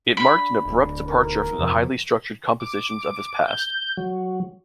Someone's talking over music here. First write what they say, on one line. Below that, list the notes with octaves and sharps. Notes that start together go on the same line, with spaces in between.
It marked an abrupt departure from the highly structured compositions of his past.
D4 B5
D1
B1 A#4
F2 C3
D6
G6
F#3